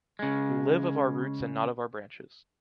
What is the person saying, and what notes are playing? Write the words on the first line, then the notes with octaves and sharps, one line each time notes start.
We live of our roots and not of our branches.
C#3 G#3